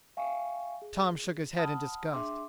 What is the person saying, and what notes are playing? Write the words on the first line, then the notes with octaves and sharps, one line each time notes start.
Tom shook his head in disgust.
E5 F5 G5 G#5 C#6
G#4
F#5 A5 B5 D#6 F6
D4 G#4 E5 G5 C6 D6